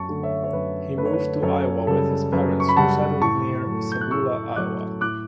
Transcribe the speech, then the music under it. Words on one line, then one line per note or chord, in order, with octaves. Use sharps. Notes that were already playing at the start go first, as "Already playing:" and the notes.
He moved to Iowa with his parents, who settled near Sabula, Iowa.
Already playing: F#2 A5 C#6
D3 A3
C#5 E5
C#5
F#2 B4
A3 B4
D3 C#5
B4
F#2 A4 C#5
C#3 G3 A4
F#2 B4
C#6
B5
C#3 G3 F#5 A5
A2 A5 C#6
F#3 A3
G6
F#6
A2 C#6 E6
F#3 A3 D6 F#6
A2 D6 F#6